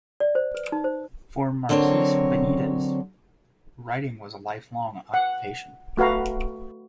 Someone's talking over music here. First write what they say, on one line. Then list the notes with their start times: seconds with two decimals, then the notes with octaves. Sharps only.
For Marquez-Benitez, writing was a lifelong occupation.
0.20 D5
0.35 C5
0.55 B4
0.72 D#4
0.84 C5
1.69 D3 F#3 C4 A#4 C#5
5.14 F#5
5.97 A3 F#4 B4 F5 A#5